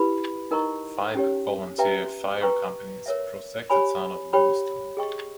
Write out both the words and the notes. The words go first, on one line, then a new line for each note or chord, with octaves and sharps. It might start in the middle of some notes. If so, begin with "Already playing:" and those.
Five volunteer fire companies protect the Town of Lewiston.
Already playing: E4 G4 B4 B5
D#4 A#4 D#5 A#5 C#6
C#4 G4 C#5
G4 B4 E5 G5 A#5
B4 G5 A#5 C#6
A#4 C#5 E5
G4 C#5 G#5 B5
G4 C#5 G5 B5
G#4 D#5 G5 C#6